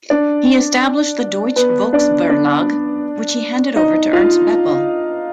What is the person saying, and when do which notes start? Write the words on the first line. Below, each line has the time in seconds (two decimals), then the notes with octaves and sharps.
He established the "Deutsche Volksverlag", which he handed over to Ernst Boepple.
0.10 D4 D5
1.56 B3 B4
1.93 D4 D5
2.29 D4 D5
3.76 D#4 D#5
4.13 F4 F5